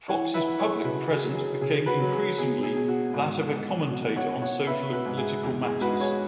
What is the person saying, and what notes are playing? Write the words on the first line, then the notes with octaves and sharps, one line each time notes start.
Fox's public presence became increasingly that of a commentator on social and political matters.
E3 C#5 F#5
B4 E5
E3
G#4 C#5
C#3 F#4 B4
G#4
F#3
G#4
C#3 G#4
F#4 B4
F#3
G#4
B2 G#4
G#4
B2 G#4
F#4
G#2
G#2
B2 F#4
C#5 F#5
B3
C#5 F#5
C#4 B4 E5
F#4 B4
G#2
G#4
E2
G#4
G#3 F#4 B4
G#4 C#5